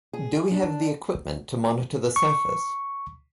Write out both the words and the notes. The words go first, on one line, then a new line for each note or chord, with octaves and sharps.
Do we have the equipment to monitor the surface?
G#4
D4
C#6